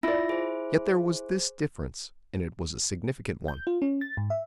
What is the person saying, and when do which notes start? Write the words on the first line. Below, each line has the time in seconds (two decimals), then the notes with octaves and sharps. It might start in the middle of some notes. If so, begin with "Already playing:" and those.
Yet there was this difference, and it was a significant one.
0.03 E4 F4 D5 A#6
0.29 G#4 C5
3.48 G6
3.67 F4
3.82 C#4
4.01 A6
4.17 G#2
4.30 E5